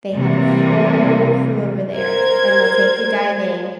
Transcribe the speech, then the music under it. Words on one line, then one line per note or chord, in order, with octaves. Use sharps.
they have a whole crew over there, and they'll take you diving,
C3 E3 G3 A#3
A#4 C5 G#6